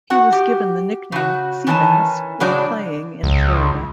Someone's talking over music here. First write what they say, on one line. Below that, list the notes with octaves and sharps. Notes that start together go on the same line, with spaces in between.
He was given the nickname "Sea-bass" while playing in Florida.
F#4 F#5
G4
C#3 F#4
D#3 E3 C#4 D5 A5
A2 C#3 F#3 G#3 D4 D5
C#2